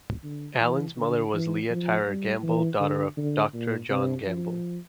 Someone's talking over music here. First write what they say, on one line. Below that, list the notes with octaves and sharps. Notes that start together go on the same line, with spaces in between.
Allan's mother was Leah Tyrer Gamble, daughter of Doctor John Gamble.
D3
E3
D3
E3
F3
G3
E3
D3
D3
A#2
C3
F3